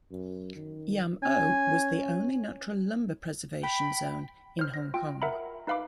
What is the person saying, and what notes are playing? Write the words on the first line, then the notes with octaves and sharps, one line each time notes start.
Yam O was the only natural lumber preservation zone in Hong Kong.
F#2
D#3
C#4 G#5
G5 B5
C5 F6
A#6
F4 G5
A#4 E5 F#5 A#5 B5
D#4 B4 F5 B5 D6